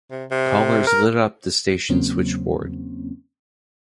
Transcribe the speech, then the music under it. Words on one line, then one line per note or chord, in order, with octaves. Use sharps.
Callers lit up the station switchboard.
C3
C3
A#4
E2 C#3 F#3 A#3 C4 C#4